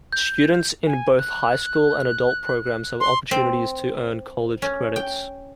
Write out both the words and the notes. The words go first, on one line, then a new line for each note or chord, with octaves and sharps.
Students in both high school and adult programs have opportunities to earn college credits.
G6
G#5
F#6
C6
C4
C#4
G5